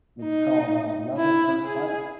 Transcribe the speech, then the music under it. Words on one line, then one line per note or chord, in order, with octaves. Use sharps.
It's called, uh, Love at First Sight
D#4
E4
G#4